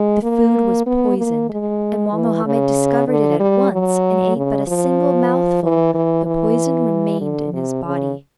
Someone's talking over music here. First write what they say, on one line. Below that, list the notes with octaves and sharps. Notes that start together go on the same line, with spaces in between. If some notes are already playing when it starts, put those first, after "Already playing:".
The food was poisoned, and while Mohammed discovered it at once and ate but a single mouthful, the poison remained in his body.
Already playing: G#3
A#3
B3
A#3
G#3
E3
C#3
D3
G3
F#3
C#3
F3
E3
E3
E3
D3
C3
C#3